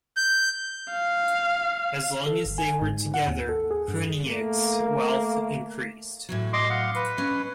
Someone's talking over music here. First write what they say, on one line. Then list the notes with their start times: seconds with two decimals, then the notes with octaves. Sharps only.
As long as they were together Cruinniuc's wealth increased.
0.17 G6
0.91 F5
2.27 A4
2.46 G1
2.58 G#5
2.82 G#2
3.14 F#5
3.28 D#2
3.49 A4
3.71 G#4
3.88 G2
4.24 A3 A#3
6.29 A2 E3 F#3
6.53 D#5 C6 D6
6.70 F5 F#5
6.95 B4
7.17 C#4 D#5